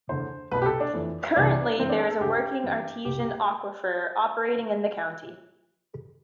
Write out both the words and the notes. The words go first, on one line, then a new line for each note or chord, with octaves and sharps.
Currently there is a working Artesian aquifer operating in the county.
E2 D3 C5
C2 B2 B4
G4
A4
D4
F2 E3
C2 C3 E3 D4
G2 E3 C4
D4
A4
A4
D2 D3 G4
G2 E3
C2 B2 G4
G4